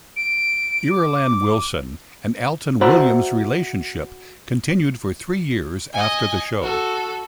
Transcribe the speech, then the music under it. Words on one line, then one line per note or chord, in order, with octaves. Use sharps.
Irulan Wilson and Alton Williams' relationship continued for three years after the show.
D7
D6
F#4 C5 D5 E5 A#5 B5
D#5 G#5
F#4 A4